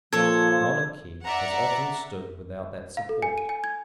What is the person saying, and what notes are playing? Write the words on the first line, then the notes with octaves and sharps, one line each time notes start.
Monarchy has often stood without that support.
A#2 F3 A4 C#5 G#6
D5 E5 F#5 A#5
F5
A4
G#5
D#7
G#5
G#6